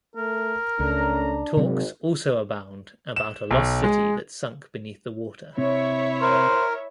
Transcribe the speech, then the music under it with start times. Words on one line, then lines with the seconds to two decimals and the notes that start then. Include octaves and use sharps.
Talks also abound about a lost city that sunk beneath the water.
0.16 A3 A#4
0.80 C#2 A3 C#4 D4 A#5
1.57 G#1 C3 F#3 C4
3.16 E7
3.51 B1
3.84 G#3
5.58 C3 C4 E4 C#5 E5
6.21 A#4 C5